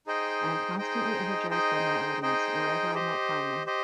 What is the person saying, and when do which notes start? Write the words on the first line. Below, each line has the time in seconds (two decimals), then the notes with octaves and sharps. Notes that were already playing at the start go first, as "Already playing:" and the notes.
I am constantly energized by my audience - wherever I might find them.
0.07 D#4 G#4 C5 D#5 G5
0.78 D#4 G#4 C5 D#5 G5
1.51 D#4 G#4 C5 D#5 G5
2.22 D#4 G#4 C5 D#5 G5
2.94 G4 C5 D#5
3.66 G4 C5 D#5